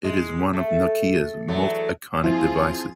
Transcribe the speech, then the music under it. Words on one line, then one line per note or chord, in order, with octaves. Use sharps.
It is one of Nokia's most iconic devices.
G#3
A3
E2 F#3 A3
F3 C4 E4 F4 G#4